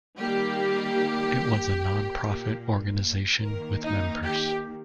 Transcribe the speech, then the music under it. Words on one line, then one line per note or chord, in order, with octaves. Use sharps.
It was a nonprofit organization with members.
D#3 G3 A#3 G4
A#2 A#3
D#3 A#3 A#4
D#4
G4